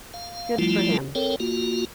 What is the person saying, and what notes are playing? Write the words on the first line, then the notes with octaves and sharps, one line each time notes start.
Good for him.
F5
F3 G3 A3 E4 F4
C4 A4 A#4 C#5 G5
A#3 F4 F#4